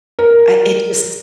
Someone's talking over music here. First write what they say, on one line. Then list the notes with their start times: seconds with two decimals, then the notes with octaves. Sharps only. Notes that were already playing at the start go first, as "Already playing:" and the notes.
I it just
0.19 A#4